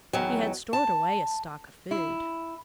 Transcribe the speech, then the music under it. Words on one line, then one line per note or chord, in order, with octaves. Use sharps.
He had stored away a stock of food.
E2 D#3 F#3
A5
E4